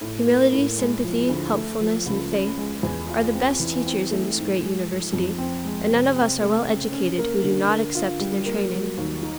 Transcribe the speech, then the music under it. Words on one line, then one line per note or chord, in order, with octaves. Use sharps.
Humility, Sympathy, Helpfulness, and Faith are the best teachers in this great university, and none of us are well educated who do not accept their training.
A2
A#3
A2
G#3
F3
D2
A3
F3
C#2
C#4
G#3
E2
F4
C4
E3
C4
A3
G#2
G#3
F3
F2
C4
G#3
C3
C4
A3
C#3
C#4
A#3
D3
A#4
F4
G3
A#3
F#3
D#2
D#4